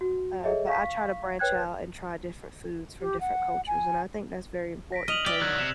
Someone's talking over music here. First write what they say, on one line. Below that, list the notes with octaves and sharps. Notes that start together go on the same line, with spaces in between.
uh, but I try to branch out and try different foods from different cultures, and I think that's very important 'cause,
F#4
G#4 A4 C#5 D#5 E5
F5 C#6 B6
B4 C#5 G5 F#6 G#6
G4
F#5
G#5
A#6 B6 D7
D#5 F6 F7 F#7
G4 D5 E6
D#3 F#3 E6 F#6 G#6
C3 E7